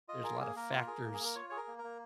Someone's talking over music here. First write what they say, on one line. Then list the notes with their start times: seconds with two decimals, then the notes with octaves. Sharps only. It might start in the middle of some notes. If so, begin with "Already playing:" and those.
there's a lotta factors
0.09 F4 D#5
0.24 G#4 A#4
0.40 A#3 G#4
0.56 A#3 A#4
0.71 F4
0.87 G#4
1.04 A#3
1.14 G#4
1.20 A#3 A#4
1.36 F4 C#5
1.50 G#4 C#5
1.57 A#4
1.68 A#3
1.79 A#4
1.84 A#3